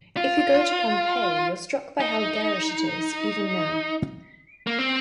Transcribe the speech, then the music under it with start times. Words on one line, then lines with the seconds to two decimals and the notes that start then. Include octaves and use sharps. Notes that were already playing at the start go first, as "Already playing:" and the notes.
If you go to Pompeii, you're struck by how garish it is, even now.
0.17 F4
2.00 D#4
4.67 A#3
4.79 C4